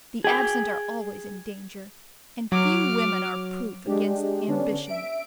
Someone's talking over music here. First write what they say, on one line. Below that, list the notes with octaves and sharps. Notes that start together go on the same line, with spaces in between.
The absent are always in danger; and few women are proof against ambition.
G#4 G5
F#3 D6 F6
G#3 D4 G4
D3 B3 C#4 D4
E5 D7